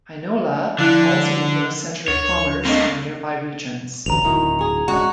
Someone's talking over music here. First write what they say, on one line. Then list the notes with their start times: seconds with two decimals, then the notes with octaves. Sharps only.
Heinola also became a center of commerce for nearby regions.
0.79 D3 F3 D4 E4 F#6
2.08 D2 C#5 A6
2.65 A3 A#3 C4 D4 D#5
4.06 A1 D2 A#5 F7
4.24 D1 D#3 E4 F#4
4.59 F#4 G#4
4.88 G#3 C#4 D4 F#4